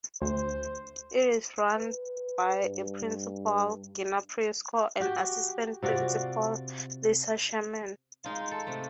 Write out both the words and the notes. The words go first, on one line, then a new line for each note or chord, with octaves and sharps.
It is run by a principal, Gina Prisco, and assistant principal Lisa Sherman.
D2 C5
B4
G2
F#4 G4
C3 F4 F#4 D5
G#3 D#4 F4
A4
C3 A3